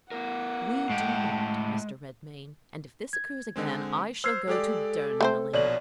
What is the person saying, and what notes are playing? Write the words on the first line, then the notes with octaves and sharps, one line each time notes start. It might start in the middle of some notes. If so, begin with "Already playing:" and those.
"We do not, Mr. Redmain; and, if this occurs again, I shall go to Durnmelling."
B3 E4 A#4 F#5
A2 G#3 G4
G#6
D3 G#3 C4
C5 E6 F6 G#6 C7
G#3 G4 A4 D5
A3 C4 C5
A#1 B2 C#5 D5 F#7